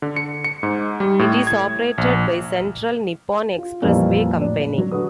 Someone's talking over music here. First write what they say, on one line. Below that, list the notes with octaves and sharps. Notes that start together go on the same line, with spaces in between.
It is operated by Central Nippon Expressway Company.
D3
C#7
C#7
G#2
G3
A2
G#6
A#1
F4
F2 A#2 E3 G3 A#3 C#4
D1 D4
F#3
D3 F#4 B4 D#6